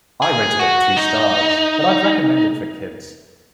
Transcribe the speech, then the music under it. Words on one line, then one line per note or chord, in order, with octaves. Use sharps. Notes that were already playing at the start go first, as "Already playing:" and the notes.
I rate it at two stars, but I'd recommend it for kids.
G#4
F#4
D#4